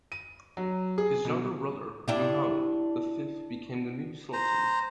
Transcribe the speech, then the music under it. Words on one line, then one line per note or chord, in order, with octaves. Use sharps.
His younger brother, Mehmed the Fifth, become the new Sultan.
D#7
F#3
G#4
B2
D4 E4 G4
C5 A#5